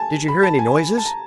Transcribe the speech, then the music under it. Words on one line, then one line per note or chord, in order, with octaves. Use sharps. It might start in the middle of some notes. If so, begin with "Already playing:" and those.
"Did you hear any noises?"
Already playing: G#5 A5
B5
A5
G#5
A5
A#5